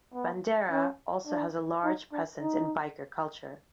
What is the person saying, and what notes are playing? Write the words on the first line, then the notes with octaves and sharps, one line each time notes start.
Bandera also has a large presence in biker culture.
B3
C#4
D4
D#4
D4
D#4